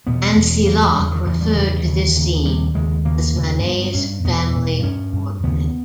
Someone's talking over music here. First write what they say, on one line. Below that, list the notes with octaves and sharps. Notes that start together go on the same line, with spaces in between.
Nancy Locke referred to this scene as Manet's family portrait.
E2 B2 B3
E2 B2
E2 C#3 A#3
G#3
E2 C#3 G3
D#3
E2 C#3 E3
G3
E2 C#3 E3
D#2 C#3
D#2 C#3
D#2 C#3 G3
D#2 C#3 G#3
D#2 C#3 A#3
D#2 C#3
G2 B3
B3
G2 C#4
E2 B2 B3
E2 B2
G2 C#4
G2
D#2 C#3 B3